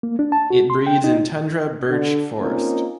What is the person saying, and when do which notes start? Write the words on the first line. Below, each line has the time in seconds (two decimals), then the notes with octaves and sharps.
It breeds in tundra birch forest.
0.03 A#3
0.19 D4
0.32 A5
0.50 F#4
0.70 C6
0.87 G5
1.04 D#4
1.88 D3
2.40 A#3 C4 C#4 D#4 F4 A#4